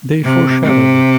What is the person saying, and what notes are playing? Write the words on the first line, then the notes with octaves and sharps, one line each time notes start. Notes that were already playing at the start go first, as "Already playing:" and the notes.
They foreshadowed it.
C3
C3